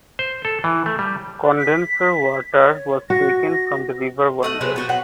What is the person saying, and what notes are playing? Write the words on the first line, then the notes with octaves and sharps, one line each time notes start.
Condenser water was taken from the River Wandle.
C5
A4
E3
A3
G3
B6
C#5
F#4 A#6
A3 D#5 F#5
C3 F#3 G#3 B3
B3 F#4 G5
F#3 B3 F#5